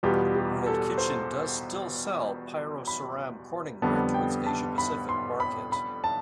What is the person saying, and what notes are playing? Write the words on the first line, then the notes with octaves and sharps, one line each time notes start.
World Kitchen does still sell Pyroceram Corning Ware to its Asia-Pacific market.
E2 B2 G3 B3 F4 G4
G4
A4
C5
B5
F2 D3 G3 B3 A5
G5
A5
B5
C6
B5
B5
A5